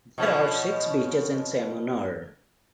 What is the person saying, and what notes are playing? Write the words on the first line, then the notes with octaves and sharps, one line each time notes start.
There are six beaches in Simunur.
B2 F3 C#4